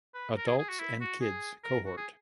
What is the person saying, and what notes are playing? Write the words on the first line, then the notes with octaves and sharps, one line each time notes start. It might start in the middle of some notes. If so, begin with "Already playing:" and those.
Adults and Kids cohort.
B4
A#4
G#4
G#4
F#4
E4
F#4
G#4
A#4
F#4
G#4